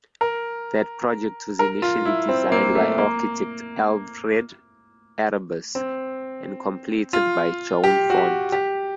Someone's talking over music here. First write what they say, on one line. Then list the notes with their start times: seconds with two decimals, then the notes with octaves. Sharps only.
That project was initially designed by architect Alfred Arribas and completed by Joan Font.
0.21 A#4
1.59 A#4
1.82 F4
2.05 E4
2.29 C4
2.52 A#3
2.75 A3
2.98 A#3
5.75 C4
7.13 F4
7.84 G4
8.10 F#4
8.18 G4
8.52 G4